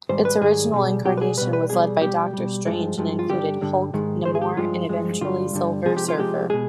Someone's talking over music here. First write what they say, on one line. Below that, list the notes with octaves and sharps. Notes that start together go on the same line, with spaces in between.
Its original incarnation was led by Doctor Strange and included Hulk, Namor, and-eventually-Silver Surfer.
G#2 D#3 G3 C5
B4
G#2 D#3 G3 G#4
B2 G3
B2 G3 G4
B4
G#4
B2 G3 B4
B4
B2 G3 G#4
B2 G3 G4
B2 G3
G2 F3 G#3
G2 F3 G#3
F4
G2 D3 G3 G4
G2 D3 G3
G#2 D#3 G#3
G#2 D#3 G#3 C5
G#4
G4
G2 F3 G#3 F4
G2 F3 G#3
G2 D3 G3 F4
G2 D3 G3
C3 F3 G#3 G#4
G4
F4
C3 F3 G#3 G4
B2 G#3 G#4